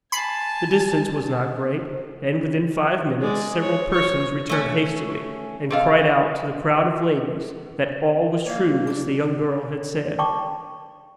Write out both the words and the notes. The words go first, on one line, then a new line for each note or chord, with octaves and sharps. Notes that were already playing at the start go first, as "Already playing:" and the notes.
The distance was not great; and within five minutes several persons returned hastily, and cried out to the crowd of ladies that all was true which the young girl had said.
G#5 A5 B5 B6 C7
G#3 D5
C#5
C#5 C#6
A3 C#4
C4 G#4 A4 B4 D#5 F5
A#3 C#5 F5
E2 D4
D5 G5 A5 C#6 D6